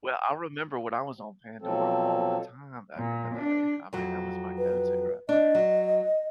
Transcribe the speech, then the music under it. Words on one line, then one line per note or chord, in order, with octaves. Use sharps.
Well, I remember when I was on Pandora all the time back in the day. I mean, that was my go-to right there.
B2 F3 F#3 C4 A4
A#2
D4
F2 F#3
B4
D4 D#5
F#3